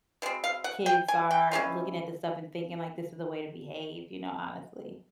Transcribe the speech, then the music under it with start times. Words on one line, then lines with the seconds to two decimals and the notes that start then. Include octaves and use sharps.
kids are looking at this stuff and thinking, like, this is the way to behave, you know, honestly.
0.22 B2 G#3 C4
0.44 F5
0.64 F#5
0.86 G5
1.08 G#5
1.31 G5
1.51 E3 G#3 C#4 F4